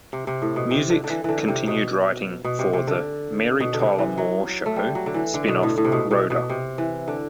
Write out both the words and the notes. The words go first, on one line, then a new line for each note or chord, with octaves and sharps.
Music continued writing for the "Mary Tyler Moore Show" spin-off "Rhoda".
C3
C3
A2
B2
C3
D3
D3
E3
D3 E3
C3
B2
B2
C3
C3
D3
B2
D3
C3
E3
F#3
A3
G3
F#3
D3
E3
D3
B2
A2
A2
C3
B2
B2
B2
C3
E3
D3